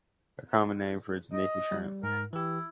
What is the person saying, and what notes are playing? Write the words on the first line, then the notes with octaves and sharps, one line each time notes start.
A common name for it is nika shrimp.
D#5
G3
G#2 A#4
E3 E4 G4